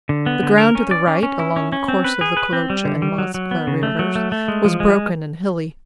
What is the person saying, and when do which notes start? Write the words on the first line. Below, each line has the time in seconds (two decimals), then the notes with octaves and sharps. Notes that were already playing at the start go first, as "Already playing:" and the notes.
The ground to the right--along the course of the Kolocha and Moskva rivers--was broken and hilly.
0.09 D3
0.26 B3
0.43 D3
0.58 A#4
0.75 C#4
0.91 D5
1.07 C#4
1.23 C#4
1.39 E4
1.56 C#4
1.72 C#4
1.88 C4
2.04 B4
2.21 G#4
2.37 B4
2.53 C4
2.70 G3
2.85 D3
3.02 G3
3.18 F#3
3.34 F#3
3.51 B3
3.67 C#3
3.83 A3
3.99 F#3
4.15 A3
4.32 A3
4.48 G#3
4.65 F3
4.80 G#3